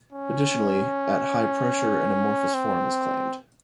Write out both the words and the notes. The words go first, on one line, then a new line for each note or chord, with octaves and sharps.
Additionally at high pressure an amorphous form is claimed.
C#4
C4